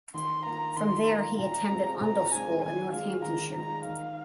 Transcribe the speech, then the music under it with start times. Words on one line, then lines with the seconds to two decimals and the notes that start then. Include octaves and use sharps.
From there he attended Oundle School in Northamptonshire.
0.14 D#3 C6
0.45 A#3 F4 A#5
0.77 D#3 C6
1.08 A#3 F4 A#5
1.38 A#2 A#5
1.70 G#3 C4 F4
2.01 A#2 A#5
2.31 G#3 C4 F4 G#5
2.62 D#3 G#5
2.93 G#3 F4 F5
3.25 D#3 A#5
3.55 G#3 F4 A#5
3.86 D#3 F5